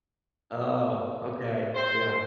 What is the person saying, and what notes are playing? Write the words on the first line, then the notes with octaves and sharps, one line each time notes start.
Oh, okay, yeah.
C5